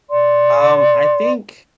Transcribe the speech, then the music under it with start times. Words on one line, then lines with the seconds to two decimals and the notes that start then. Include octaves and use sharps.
Um, I think
0.11 D5 C6